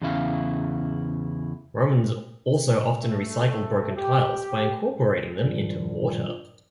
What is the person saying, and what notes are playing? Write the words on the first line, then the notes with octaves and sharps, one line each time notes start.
Romans also often recycled broken tiles by incorporating them into mortar.
E2 C#3 E4 F5
A3
G4
G2 A#2 D#3 F3 G3